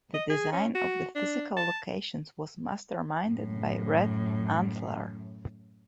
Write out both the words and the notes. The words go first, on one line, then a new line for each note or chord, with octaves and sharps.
The design of the physical locations was masterminded by Red Antler.
D#5
G#4
C#4
F#4
D4
A5
F#2 A2